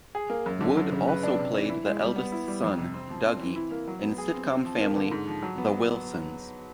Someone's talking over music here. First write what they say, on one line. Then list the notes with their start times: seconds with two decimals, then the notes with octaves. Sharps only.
Wood also played the eldest son, Dougie, in sitcom family "The Wilsons".
0.15 G#4
0.30 A#3
0.46 F#2
0.61 D3
0.77 F#2
0.92 C#3
1.08 B4
1.23 D4
1.39 C3
1.54 E3
1.70 E4
1.86 G#3
2.01 G3
2.16 B3
2.32 E4
2.48 G3
2.64 F2
2.78 C3
2.94 C4
3.10 F3
3.25 C4
3.40 E3
3.56 E4
3.71 A#3
3.87 F#3
4.03 B3
4.18 G#4
4.34 C4
4.50 C4
4.65 F3
4.80 A#3
4.96 D3
5.11 G#2
5.27 F3
5.43 F#3
5.58 B3